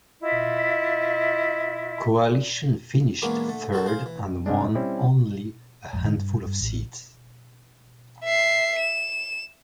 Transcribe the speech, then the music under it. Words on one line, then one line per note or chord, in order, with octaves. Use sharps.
Coalition finished third and won only a handful of seats.
E4 F4 D#5 E5
E3 G#3 A#3 B3 C#4 D4
D3 A3
C4 F#4 A4 A5
G#4 C5 F5
E3
G2 C3 G3 G#3 D4
G3 C4 C#4 E4
A1 F2 G#2
D3
G2
G2
A1
E5 C7
E7